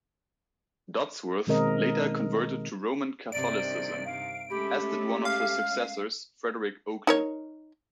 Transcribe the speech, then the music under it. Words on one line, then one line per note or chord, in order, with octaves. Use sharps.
Dodsworth later converted to Roman Catholicism, as did one of his successors, Frederick Oakeley.
B2 D#3 G#3 C4 A#4 D#5
G2 C3 D#3 D5 D7
F5
G#3 A3 C#4 G4 B5
F5 F6
D#4 A#4 C#5